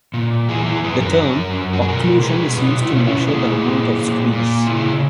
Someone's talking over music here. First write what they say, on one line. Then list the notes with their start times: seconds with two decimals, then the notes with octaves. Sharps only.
The term "occlusion" is used to measure the amount of squeeze.
0.14 A#2
0.49 E3 E4 G#4
0.66 E4 G#4
0.84 F#2 G#4 B4
1.01 F#4 A#4
1.19 F#2
1.54 F#2
1.73 F#4
1.82 G#4
1.89 B2 F#4 A#4
2.23 B2 G#4 B4
2.53 G#4
2.58 B2 D#4 F#4
2.82 E4
2.89 F#4
2.93 B2 C#4 E4
3.05 C#4 E4
3.27 A#2 E4 G#4
3.63 A#2
3.98 A#2
4.32 A#2
4.67 C#3 E4 G#4